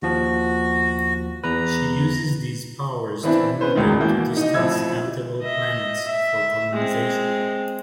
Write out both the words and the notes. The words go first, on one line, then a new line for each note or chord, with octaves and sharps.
She uses these powers to move them to distant habitable planets for colonization.
D#2 F3 F#4
E2 B4 A#5
E3 B3 C4 D4 E4
B3 C#4 B4 C5
E1 C#2 D#3
B2 E3 A#3 G6
D#4 D#5
A1 F3 C4 E4 E6 G#6
D#5 E5
E5
G#3 C4